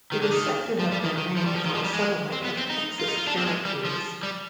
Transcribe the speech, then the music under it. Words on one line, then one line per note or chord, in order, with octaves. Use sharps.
It is said to have been named for a settlement of Texas Cherokees.
D#3
D3
D#3
F3
G3
D#3
D#3
F3
G3
F3
D#3
F3
G3
G#3
C4
B3
C4
D#4
F4
D#4
F4
D4
C4
G#3
G3
F3
G3